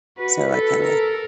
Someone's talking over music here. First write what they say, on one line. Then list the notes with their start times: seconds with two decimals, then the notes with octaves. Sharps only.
So I kinda
0.18 F#4 B4
0.50 A4 B4
0.83 A4 A#4